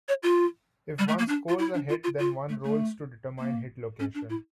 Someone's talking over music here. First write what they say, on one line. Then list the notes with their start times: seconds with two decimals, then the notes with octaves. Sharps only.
If one scores a hit, then one rolls to determine hit location.
0.08 C#5
0.23 F4
0.99 G3
1.08 A3
1.19 A#3
1.28 D4
1.49 F4
1.59 E4
1.74 D4
1.89 F4
2.04 F4
2.19 F4
2.49 A3
2.64 A3
3.39 A#3
4.00 C#4
4.15 D4
4.30 E4